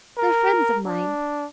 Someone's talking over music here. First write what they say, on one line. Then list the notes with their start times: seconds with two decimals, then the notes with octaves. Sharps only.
They're friends of mine.
0.18 A#4
0.86 D4